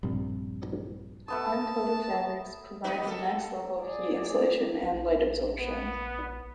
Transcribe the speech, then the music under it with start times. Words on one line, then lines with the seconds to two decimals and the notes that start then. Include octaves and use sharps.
Uncoated fabrics provide the next level of heat insulation and light absorption.
0.03 A#1 G2 C3
1.28 A3 B3 A5 D#6
2.84 F2 D#4 B4
3.03 A#3 A4
3.78 G#4 D5
4.83 A#1
5.59 B3